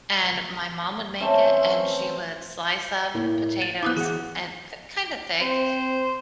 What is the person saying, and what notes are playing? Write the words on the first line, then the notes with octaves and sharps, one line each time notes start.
And my mom would make it, and she would slice up potatoes and k kinda thick,
E3 A3 C4 C#4
A2 A#3 E4
A6
B3 E4 D6 D#6 F#6
E3 F#4 G#4 F#5
C4 C5